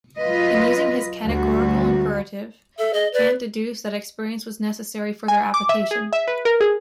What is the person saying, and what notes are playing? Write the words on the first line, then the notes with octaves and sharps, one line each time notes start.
In using his categorical imperative Kant deduced that experience was necessary for their application.
F#3 F4 B4 D#5
D2 G3 F#4
A4 E5
G#4 D#5
B4 D5
G#5
D6
E5
G#4
E5
B4
A#4
G#4